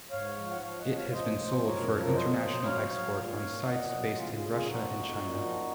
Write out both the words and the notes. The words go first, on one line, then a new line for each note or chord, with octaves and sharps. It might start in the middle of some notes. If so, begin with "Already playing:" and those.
It has been sold for international export on sites based in Russia and China.
G#2 C#5 F5
F3
F#5
F3 C#5 F5
D#5 F#5
F3
C#5 F5
F3 C5 D#5
F3
F#2 A#4 C#5
F3
C#5
F#3 C5 D#5
F#3
F#3 C#5 F5
F#3
A#2
A#2
A#2 D#5 F#5
F#3
C#3 F4 G#4
F4 G#4
C#3
F4 G#4
F3 D#4 F#4
F2
A#2
F3